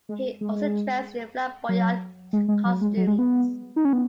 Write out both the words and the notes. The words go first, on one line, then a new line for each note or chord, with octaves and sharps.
He also dressed in flamboyant costumes.
G#3
G#3
F#3
G#3
G#3
F#3
G#3
F#3
G#3
B3
D#4
C#4
B3